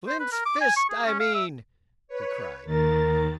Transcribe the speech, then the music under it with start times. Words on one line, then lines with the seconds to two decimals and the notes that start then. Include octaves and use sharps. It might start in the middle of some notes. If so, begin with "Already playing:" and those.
"Flint's fist, I mean," he cried.
0.07 C5
0.20 B4
0.32 A#4
0.46 D6
0.61 G#5
0.76 C#6
0.90 G#4
1.06 C#4
1.20 F5
1.34 E5
2.08 B4 C#5
2.66 D#2 D#3 A#4 A6